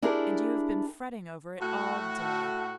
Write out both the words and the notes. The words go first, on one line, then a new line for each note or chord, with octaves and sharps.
'And you have been fretting over it all day.
D4 E4 G4 G#4 A#4
A2 A3 F#4